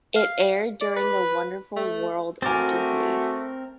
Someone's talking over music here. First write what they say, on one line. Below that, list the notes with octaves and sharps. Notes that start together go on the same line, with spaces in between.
It aired during The Wonderful World of Disney.
F5
D5
B4
A3
A3 C4 F#4 A#4 G#5 D6 A6